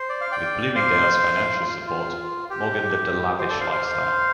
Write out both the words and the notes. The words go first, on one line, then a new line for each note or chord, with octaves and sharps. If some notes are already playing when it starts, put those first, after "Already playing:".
With Bloomingdale's financial support, Morgan lived a lavish lifestyle.
Already playing: C5
D5
F5
D5 G5
C5 F5
F4
F4
G4
G4 C5
A4 D5
C5 F5
C5 F5